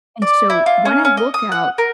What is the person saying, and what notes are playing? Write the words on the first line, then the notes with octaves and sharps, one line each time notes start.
And so when I look out
D5
E4
F4
C#4
C#4
D#5
D#6
F#5
A#4